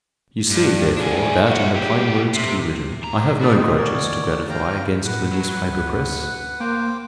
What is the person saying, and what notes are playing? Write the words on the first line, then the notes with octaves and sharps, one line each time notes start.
You see, therefore, that, in the plain words to be written, I have no grudges to gratify against the newspaper press.
G2
D4 G#4
A3 F#4
F#3 G4
C3
G2 A#5
A3 D4 F#4 D5 B5
D2 C4 D#4 D#5
A#4 C#5 D5
F5 G5 A#5
A2 B4 F#5
F#3
D2
A#3 C5 G5 D6